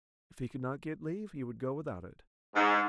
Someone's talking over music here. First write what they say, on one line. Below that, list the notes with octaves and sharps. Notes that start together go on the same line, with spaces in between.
If he could not get leave he would go without it.
G#2